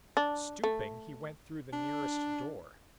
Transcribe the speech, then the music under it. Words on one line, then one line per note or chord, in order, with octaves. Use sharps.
Stooping, he went through the nearest door.
D4
A3
D4